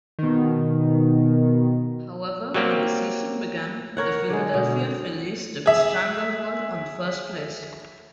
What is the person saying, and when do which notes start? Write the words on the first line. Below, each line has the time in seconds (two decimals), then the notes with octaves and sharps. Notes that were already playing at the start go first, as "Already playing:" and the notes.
However, when the season began, the Philadelphia Phillies took a stranglehold on first place.
0.19 B2 D#3
2.54 F#3 G3 A#3 C4 G4
3.97 A#4 C#5 F#5
4.30 D3 G#3
4.54 B2
5.66 G#4 E5